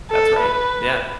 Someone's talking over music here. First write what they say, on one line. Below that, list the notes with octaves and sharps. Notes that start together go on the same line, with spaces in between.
That's right. Yeah.
A4
B4